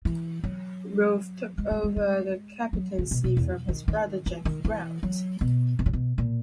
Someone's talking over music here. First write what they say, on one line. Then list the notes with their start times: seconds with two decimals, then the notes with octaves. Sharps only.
Rolph took over the captaincy from his brother Jackie Grant.
0.05 E3
0.44 F#3
1.58 G#3
1.71 G#3
1.84 G#3
1.96 G#3
2.73 F#3
2.99 C#3
3.11 B2
3.24 B2
3.37 E2
3.68 D#3
3.88 D#3
4.26 E3
4.45 D#3
4.65 E3
5.03 F#3
5.41 B2
5.79 B2
5.86 C#3
5.93 B2
6.18 A#2